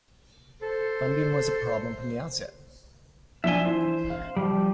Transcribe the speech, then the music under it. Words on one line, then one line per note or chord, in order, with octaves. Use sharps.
Funding was a problem from the outset.
A4 C5
F3 D4 E5 G#5 G7
E3 C5
F5
F3 G3